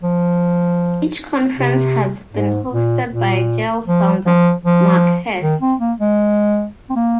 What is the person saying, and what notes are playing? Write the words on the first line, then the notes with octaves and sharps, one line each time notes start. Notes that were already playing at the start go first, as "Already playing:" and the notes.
Each conference has been hosted by Gel's founder, Mark Hurst.
F3
C3
G#2
A#2
A#2
F3
F3
F3
D#3
C4
A#3
G#3
C4
A#3